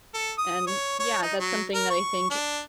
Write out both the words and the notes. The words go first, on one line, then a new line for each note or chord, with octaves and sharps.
and yeah, that's something that I think
A4
D#6
C#5
C#5
D#4
F#3
A#4
C#6
D4